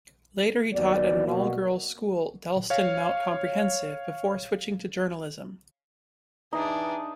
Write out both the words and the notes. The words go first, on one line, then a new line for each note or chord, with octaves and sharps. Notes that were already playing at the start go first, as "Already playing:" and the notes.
Later he taught at an all-girls school Dalston Mount Comprehensive, before switching to journalism.
D#2 F#3 B3 D5
B2 A#3 F#4
C#5 F5
E3 D4 D#4 G#4